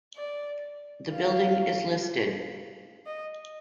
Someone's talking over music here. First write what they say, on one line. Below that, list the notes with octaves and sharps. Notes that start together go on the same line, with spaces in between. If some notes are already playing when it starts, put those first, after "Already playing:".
The building is listed.
D5
F5
D#5